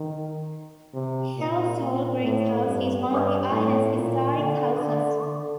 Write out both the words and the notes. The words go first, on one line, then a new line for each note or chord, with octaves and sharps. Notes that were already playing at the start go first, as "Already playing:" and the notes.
Halse Hall Great House is one of the island's historic houses.
Already playing: D#3
C3
A#2
A#2
A2
G2
G2
A2
A#2
D3
D3
D3